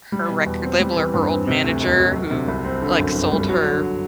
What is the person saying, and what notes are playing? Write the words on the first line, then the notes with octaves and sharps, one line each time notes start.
her record label or her old manager who, like, sold her
G3
B2
E2
C4
G3
E3
G2
C4
C3
D2
E1
F#3
F#3
C3
C2
C4
D3
F#2
G1
G3
F#3
D3